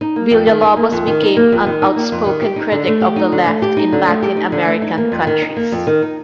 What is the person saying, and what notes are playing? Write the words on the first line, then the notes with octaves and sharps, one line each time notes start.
Villalobos became an outspoken critic of the left in Latin American countries.
D#4
A#3
F2
D#3
D#4
A#3
F2
D#3
D#4
A#3
F2
D#3
D#4
A#3
F2
D#3
G4
D#4
D3
A3
G4
D#4
D3
A3
G4
D#4
D3
A3
G4
D#4
D3
A3
D#4
A#3
F2
D#3
D#4
A#3
F2
D#3
D#4